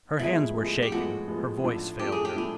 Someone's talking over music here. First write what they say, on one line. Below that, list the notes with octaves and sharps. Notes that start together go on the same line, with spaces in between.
Her hands were shaking, her voice failed her.
A2 F3 G#3 B3 E4
A2 F3 G#3 B3
G4
A2 F3 G#3 B3 F#4
A2 F3 G#3 B3
A2 F3 A3 D4
A2 F3 A3 D4 G4
G#4
G4
A2 F3 A3 D4 G#4